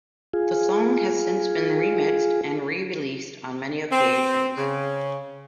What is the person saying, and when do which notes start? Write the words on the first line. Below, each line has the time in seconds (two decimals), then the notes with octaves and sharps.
The song has since been remixed and re-released on many occasions.
0.34 F4 G#4
3.92 C4
4.58 C#3